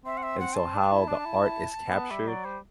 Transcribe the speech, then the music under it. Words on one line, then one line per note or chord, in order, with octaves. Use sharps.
and so how the art is captured,
C4 E5
F#5
E5
F#5
A5
D4
E4
D4
E4
E4
B3
G3 E5
F#3 D5
G3 C5